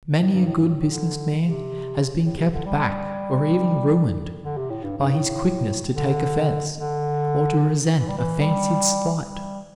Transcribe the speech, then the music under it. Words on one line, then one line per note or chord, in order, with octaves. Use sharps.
Many a good business man has been kept back, or even ruined, by his quickness to take offense, or to resent a fancied slight.
A2
G2
A2
G2
A2
A2
D3
C3
A2
C3
D3
G3
D3
C3
A2
G2
G2
A2
D3
D3
E3
G3
E3
G3
G3